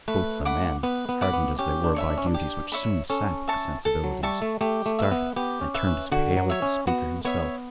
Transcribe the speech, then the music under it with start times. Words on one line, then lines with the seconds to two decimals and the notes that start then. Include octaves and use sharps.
Both the men, hardened as they were by duties which soon sap the sensibilities, started and turned as pale as the speaker himself.
0.08 A3 B4
0.45 F#5 B5 D6
0.83 B3 B4
1.09 B3
1.21 F#5 B5 D6
1.33 B3
1.58 C#4 G4
1.84 D4
1.96 C#5 E5 B5
2.10 D4
2.18 C#4
2.26 D4
2.34 G4
2.72 C#5 E5 B5
3.09 C#4 A4
3.48 E5 A5 C#6
3.85 A4
4.04 F#3
4.23 G3 E5 A5 C#6
4.42 A3
4.61 A3 G4
4.86 A3
4.99 B4 E5
5.11 B3
5.36 B3 G4
5.61 C#4
5.74 B4 E5
5.87 C#4
6.12 D3 F#4
6.37 F#3
6.50 C#5 E5
6.62 C#4
6.87 B3 F#4
7.25 B3 C#5 E5